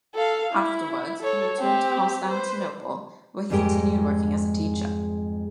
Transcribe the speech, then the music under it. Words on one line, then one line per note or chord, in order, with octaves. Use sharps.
Afterwards he returned to Constantinople, where he continued working as a teacher.
A4 F5
E4
A4 C#5
C4 G4
B4 C5
F2 G#2 G3 G#3 G4 A#4